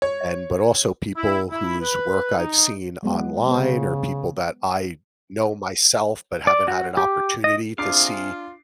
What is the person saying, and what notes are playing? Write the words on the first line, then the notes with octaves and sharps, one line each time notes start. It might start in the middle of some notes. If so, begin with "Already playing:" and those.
and but, also, people whose work I've seen online or people that I know myself, but haven't had an opportunity to see
C#5
E4
E4
B4
D#4
F#3 G#3 B3
C#3 B3 C5
D5
F#4
G4
D#5
C3 D4 F4 G#4 F5 D6 C7